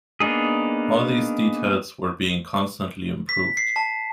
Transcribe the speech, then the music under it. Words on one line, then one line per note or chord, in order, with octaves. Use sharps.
All these details were being constantly improved.
A#3 B3 D4 D#4 G#4
B6
C7
A5